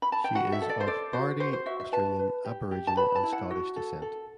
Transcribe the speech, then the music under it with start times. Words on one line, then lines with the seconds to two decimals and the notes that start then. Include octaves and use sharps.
She is of Bardi Australian Aboriginal and Scottish descent.
0.02 B5
0.12 A5
0.24 G5
0.35 F#4 F#5
0.52 E5
0.62 A4
0.69 D5
0.80 C5
0.87 A4 D5
1.13 F#4 C5
1.40 F#4 C5
1.53 C5
1.66 F#4 E5
1.80 E5
1.92 B4 A5
2.19 B4
2.45 G4
2.71 G4
2.87 A5
2.97 B4 B5
3.15 A5
3.23 E4
3.32 F#5
3.50 F#4
3.76 A4
4.02 A4